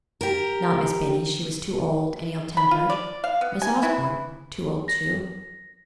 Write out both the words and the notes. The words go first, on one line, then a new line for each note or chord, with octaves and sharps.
Not Miss Binny, she was too old and ill-tempered; Miss Osborne? too old too.
G4 A#4
B5
F4
D5
F5
B3
G#5
E3
A#6